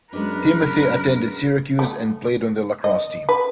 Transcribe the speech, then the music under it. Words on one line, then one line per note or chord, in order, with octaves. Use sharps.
Timothy attended Syracuse and played on the lacrosse team.
F#2 G#3 B3 D4 A#4 B4
A3
D#5
B4